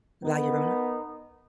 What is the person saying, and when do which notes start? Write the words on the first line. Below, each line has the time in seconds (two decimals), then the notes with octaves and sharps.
La Llorona.
0.24 B3 D#4 A#4